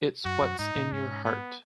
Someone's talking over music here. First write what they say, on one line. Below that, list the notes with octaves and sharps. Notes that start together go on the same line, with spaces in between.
It's what's in your heart.
F#2 F#4
F#2
G#2 D#4
A#2
G#2 C#4
B3